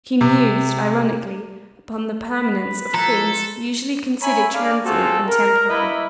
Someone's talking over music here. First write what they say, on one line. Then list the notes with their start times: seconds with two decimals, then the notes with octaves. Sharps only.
She mused, ironically, upon the permanence of things usually considered transient and temporary.
0.21 C3
2.34 B4
2.94 F3 A3 E4 A4 A#5
4.22 C#5 E5 G#5 A#5 B5
4.53 A#3 D4 D5 F5
4.84 A3 C4 F4 F#4 G#4 A4
5.28 A#4
5.69 A#3 E4 B4 D#5 E5 B5